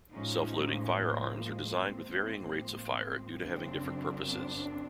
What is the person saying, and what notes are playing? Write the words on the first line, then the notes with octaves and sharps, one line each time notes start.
Self-loading firearms are designed with varying rates of fire due to having different purposes.
A2 F3 G#3 C#4 D#4
G#3 A#3
A2 F3 G#3 A#3 C4
F#2 C#3 F#3 C4 D4
C4 D4